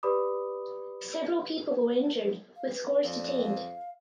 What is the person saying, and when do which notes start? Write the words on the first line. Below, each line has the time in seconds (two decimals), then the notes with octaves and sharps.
Several people were injured with scores detained.
0.03 G4 B4 D5 B5 D6 D#6
2.56 F5
2.73 B4
3.04 F2 D5
3.44 F5